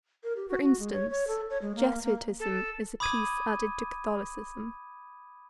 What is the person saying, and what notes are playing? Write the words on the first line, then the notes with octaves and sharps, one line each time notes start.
For instance, Jesuitism is a piece added to Catholicism.
A#4
G4
F#4
F#4
G#3
C#5
C#5
A4
C#5
G#3
A#3
A#3
A4
B5 D6 D#6 G#6 D#7